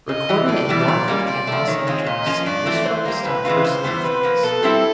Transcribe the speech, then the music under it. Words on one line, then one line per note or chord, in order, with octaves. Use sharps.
Recorded in Norfolk and Los Angeles, this focused on personal themes.
C#3 D#5
E3 G3
A2 D5
E3 G3 B3
A#2
G3 A#3 C#4
C3 D5
F3 A3
D#3 C#5
G#3 C4 F4
A#2 D#5
F3 A#3 C#4 F4
G2 D5
E3 A3 C4
E3 C5
G3 A#3
A2 B4
E3 G#3 C4 F4
C#3 C5
E3 G3 B3
C3 B4
F3 A#3
B2 A4
G3 C4 E4 G4